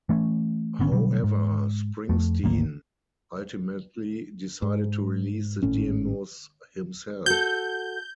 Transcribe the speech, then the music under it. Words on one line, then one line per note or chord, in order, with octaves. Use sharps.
However, Springsteen ultimately decided to release the demos himself.
E3 A3 B3 C#4
G#1 D3 B3 C#4
B2 D3 F#3 G3
G#2
F2 A3
G#1 D2 A#3
G#2
G#1 A2 C#4
F#4 A4 G6